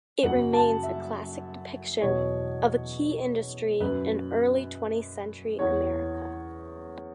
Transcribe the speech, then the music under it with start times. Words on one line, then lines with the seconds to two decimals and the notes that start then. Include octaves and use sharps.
It remains a classic depiction of a key industry in early twentieth-century America.
0.23 F#2 C#3 F#3 F#5
0.53 A5
0.83 E5
2.02 E2 B2 F#3 C#5
3.80 F#2 F#3 B4
5.59 E2 E3 C#5